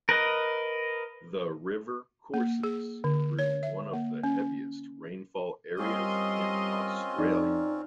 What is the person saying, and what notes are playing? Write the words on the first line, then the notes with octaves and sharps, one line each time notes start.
The river courses through one of the heaviest rainfall areas in Australia.
A#4 B4 D#5
A#3
G#4
D3
C#5
E5
A#3
C#4
G3 C4 C#4 F4 A#4 D#5 C6
F2 D#4 D5